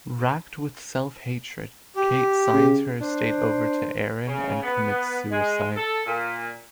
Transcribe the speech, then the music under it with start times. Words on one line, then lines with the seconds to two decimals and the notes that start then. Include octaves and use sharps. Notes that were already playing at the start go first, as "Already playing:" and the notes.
Wracked with self-hatred, Kate signs her estate over to Aron and commits suicide.
1.96 G4
2.53 C#3
3.01 D4 C5
4.27 C#3
4.63 B3
5.32 G#3
5.77 A4
6.06 A#2